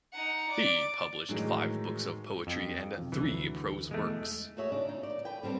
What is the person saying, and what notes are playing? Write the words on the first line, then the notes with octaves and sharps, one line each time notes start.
He published five books of poetry and three prose works.
D#4 F#5
D5 D6
A2 D#3 E3 F#3 G#3
F2
C3 F3
D2 D3 E3 F#3
E2 G#3 A3 D7
F#4 G#4 A4 C#5 D#5 E5
C#3 D4 D#4
D#4
D5
A4 B4 G5
D3 G3 C4 A4